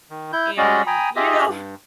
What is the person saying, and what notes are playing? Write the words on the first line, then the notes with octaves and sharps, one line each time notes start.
And, you know,
D#3
E4 G6
G3 G#3 C#4 F#4 D5 D#5
G5 G#5 A#5 B5 D#6
F4 G4 G#4 D#5 E5
G2